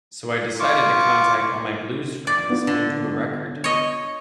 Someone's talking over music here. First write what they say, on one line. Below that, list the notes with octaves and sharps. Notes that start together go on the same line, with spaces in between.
So I decided to contact all my blues friends and do a record.
F4 C#6 D6
D5
B3 D4 F4
D3
C#5 D#5